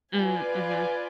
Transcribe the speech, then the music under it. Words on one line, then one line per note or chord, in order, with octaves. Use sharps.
Mm, mhm.
F4 B4 D5 G#5